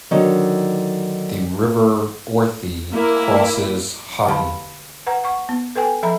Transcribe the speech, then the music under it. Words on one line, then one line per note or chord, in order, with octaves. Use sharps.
The river Ourthe crosses Hotton.
D3 D#3 F#3
A#3 E4
D3 G4 F5 A5 B5
B4 F#5 A#5
F#5 C#6
B3
A4 B4 G5 G#5
F3 A4 E5 A#5 B5